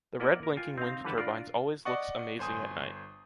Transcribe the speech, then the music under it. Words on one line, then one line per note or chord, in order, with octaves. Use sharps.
The red blinking wind turbines always looks amazing at night.
A#3 E4 D5 D#5 F#5
A#4
F4 G5 G#5
C4 D#4 F5
D3 E3 G3 B4 F#5 A5
D4 F4 A#4 D5
D5 D#5 F#5 C#6
G1 C5 G#5 D#6